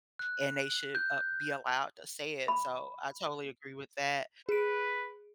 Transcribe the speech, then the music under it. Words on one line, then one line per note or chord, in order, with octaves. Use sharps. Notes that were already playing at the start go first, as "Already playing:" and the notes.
and they should, uh, be allowed to say it, so I totally agree with that,
F#6
G6
B5
G#4 B4 D7